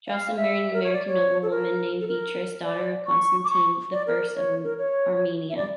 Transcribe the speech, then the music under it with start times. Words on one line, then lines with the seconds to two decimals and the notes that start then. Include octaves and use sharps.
Joscelin married an Armenian noblewoman named Beatrice, daughter of Constantine the First of Armenia.
0.08 F5
0.37 E5
0.73 A#4
0.83 C#5
0.93 D5
1.08 C#5
1.42 A4
1.50 A#4
2.01 A4
2.08 A#4
2.64 D5
3.07 C#6
3.44 D6
3.50 C#6
3.92 D5
4.07 A#4
4.35 C#5
4.64 A#4
4.78 C#5
5.50 E5
5.56 D5